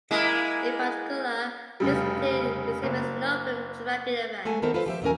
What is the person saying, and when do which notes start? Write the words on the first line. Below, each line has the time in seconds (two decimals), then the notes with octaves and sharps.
In particular, this theory exhibits no frame-dragging effects.
0.11 G#3 A#3 E4
1.80 F1 C#3 G3
2.83 F#1
4.45 G#3 A3 A4 G#5
4.62 D#3 B3 D#4 A4 A#4 C5
4.74 F4 A4 B4 C5 F5
4.86 F3 G4 E5
5.02 D#2 F#3 G3 C#4 A#4 G#5